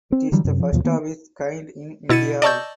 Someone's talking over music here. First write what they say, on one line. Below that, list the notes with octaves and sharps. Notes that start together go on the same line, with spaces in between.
It is first of its kind in India.
C4
D3 E3 F#3 G3
F#2 C3
F3
D#2 B2 F3
D#3 A#3 B3
B2 E4 A6 C#7 D#7
D5 D#5 A5 C#6 E6 G6